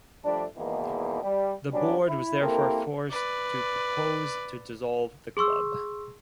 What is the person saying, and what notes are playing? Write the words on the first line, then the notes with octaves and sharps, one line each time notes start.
The board was therefore forced to propose to dissolve the club.
F3 G3 A3 D4
E2 G#2 B2 D#3 E3 A#3
G3
F#3 G3 B3 C#4 D4
E4
A#3 C4 E4 G4 A4 A#4
B4 D5
G#4 C6 C#6 E6